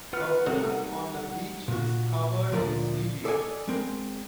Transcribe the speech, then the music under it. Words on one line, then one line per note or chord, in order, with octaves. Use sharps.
A woman on the beach is covered in seaweed.
F4 B4 F#5 F6
C3 G3 D#4 F#4 A4 A#4 F#5
A#2 F#4
D2 A#2 F3 A#4 D5
A4 D5 D#5 F5 G#5
G#3 C4 A#4